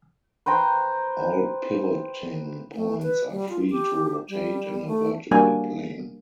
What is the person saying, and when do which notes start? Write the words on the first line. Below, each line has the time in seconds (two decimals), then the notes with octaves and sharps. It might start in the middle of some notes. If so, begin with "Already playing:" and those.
All pivoting points are free to rotate in a vertical plane.
0.46 B4 C5 G5 A#5
2.73 A3
3.02 B4
3.31 G3
3.49 F4
3.70 G4
4.29 G3
4.87 A3
5.31 G3 A#3 D4 F#4 G#5